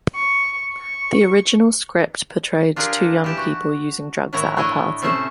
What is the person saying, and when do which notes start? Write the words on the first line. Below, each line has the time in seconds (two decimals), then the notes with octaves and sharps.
The original script portrayed two young people using drugs at a party.
0.16 C#6
0.74 C#6
2.76 D4 F4 G4 G#4 A#4
3.24 E3 G4 A5
3.37 F#4
4.33 A2 D#3 F#3 E4 C#5 A#5
4.57 A3 D4 E4 C#5 D#5
5.02 C3 A3 C#4 A4 C5 A5